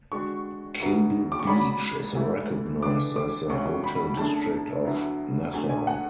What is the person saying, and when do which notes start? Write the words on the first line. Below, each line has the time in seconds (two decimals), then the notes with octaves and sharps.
Cable Beach is recognised as the hotel district of Nassau.
0.12 D3 G#3 D4 F#4 C#6
0.80 D2 D3 F#3 B3
1.32 D6
1.39 C#6
1.47 G#2 F#3 C#4 G#4 D5 B5
2.15 G#2 E3 A3 E4
2.82 E3 B3 D4 A4 D5 D6
3.16 D6
3.50 D2 C#3 G#3 C#4 F#4 C#6
3.84 B5
4.17 F#2 D3 A3 D4 G#4 A5
4.85 D2 D3 F#3 B3 E4
5.53 E2 D3 F#3 A3 G#5
5.69 G#5
5.87 F#5